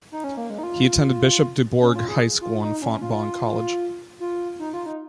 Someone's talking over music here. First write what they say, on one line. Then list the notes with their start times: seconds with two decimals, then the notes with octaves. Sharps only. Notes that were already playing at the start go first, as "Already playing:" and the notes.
He attended Bishop DuBourg High School and Fontbonne College.
0.12 D#4
0.24 C#4
0.37 A#3
0.50 G#3
0.58 D#4
0.63 F4
1.82 C#4
1.95 F4
2.09 G#4
2.41 F4
2.62 D#4
2.82 C#4
3.02 F4
4.20 F4
4.60 D#4
4.73 F4
4.86 D#4